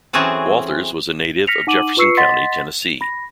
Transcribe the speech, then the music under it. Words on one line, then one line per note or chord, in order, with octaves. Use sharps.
Walters was a native of Jefferson County, Tennessee.
E3 F#3 C4 C#4 G#4 A4
F6 A#6 B6 C#7 F7
D#4 F#5 D6 D#7 F#7
F4 B4 C#6 E6 C7 C#7
D#5 F#5 C6 A6 B6
F7
B5 A#6